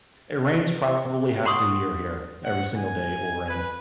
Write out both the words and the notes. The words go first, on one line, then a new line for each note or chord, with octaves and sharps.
it rains probably half the year here. Every single day it will rain.
F#5 C6 C#6 D#6
F#5
G#5
B4